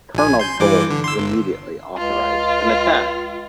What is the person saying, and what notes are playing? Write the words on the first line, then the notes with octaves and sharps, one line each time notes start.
Colonel Gold immediately authorised an attack.
A#1 G#5
C6 G6
G2 E3 D6
D3
C6 E6
G1
C#2 F4